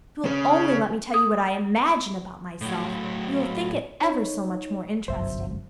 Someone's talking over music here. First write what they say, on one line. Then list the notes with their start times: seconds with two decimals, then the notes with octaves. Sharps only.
"If you'll only let me tell you what I IMAGINE about myself you'll think it ever so much more interesting."
0.25 C#3 C#4
1.14 D#6
2.61 A2 F#3
4.01 D#4 C#5
5.08 G1 C2 F#2 C5 E5